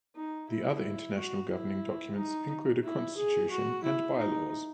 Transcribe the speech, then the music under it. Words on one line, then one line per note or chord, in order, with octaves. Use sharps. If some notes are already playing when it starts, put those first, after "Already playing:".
The other international governing documents include a Constitution and By-Laws.
D#4
E4
F#4
E4
D#4
E4
G#4
F#4
E4
D#4